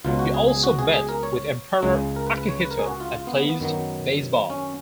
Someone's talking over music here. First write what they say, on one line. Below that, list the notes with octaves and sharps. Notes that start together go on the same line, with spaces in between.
He also met with Emperor Akihito and played baseball.
C#2 B2 F#3 F4
F#4
G#4
G#4
F#4
G#4
G#4
A#4
C#5
C#2 C#3 G#3
A#4
B4
B4
C#5
B4
A#4
G#4
F#4
F4
F4
B3
B3
B3
F#2 D#3 F#3
C#4